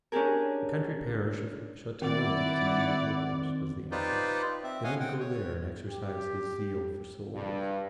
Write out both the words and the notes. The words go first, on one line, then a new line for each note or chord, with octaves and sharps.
The country parish of Chatillon was in need of workers, was the answer; let him go there and exercise his zeal for souls.
C#4 D4 E4 G4 G#4 A#4
D#3 C4 E4 D5 F#5
D#4 F4 G4 B4 C5 D5
C4 E5
C#5 D#5 F5 F#5 G#5
C4 F#5 G5
C#5
G4
G2